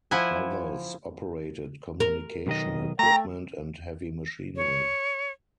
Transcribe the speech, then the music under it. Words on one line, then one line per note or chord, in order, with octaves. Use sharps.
Others operated communication equipment and heavy machinery.
F3 E4 F#5 G#5
A#4
B1 D#3 D#5
A3 G5 A#5
C#5